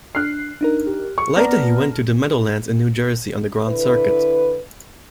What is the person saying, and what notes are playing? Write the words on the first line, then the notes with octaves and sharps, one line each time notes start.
Later he went to the Meadowlands in New Jersey on the Grand Circuit.
D4 F6 F#6 C7
D4 D#4 A#4
G4
C#6
B3 D5 A5 A#5 F6 A#6
D3 E4 B4